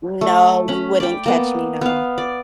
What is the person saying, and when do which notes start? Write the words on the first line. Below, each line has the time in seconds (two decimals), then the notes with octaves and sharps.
No, you wouldn't catch me, no.
0.21 A3
0.68 C#4 B5
1.00 D5 G5
1.26 A#3 B3
1.81 B3 F5
2.18 D5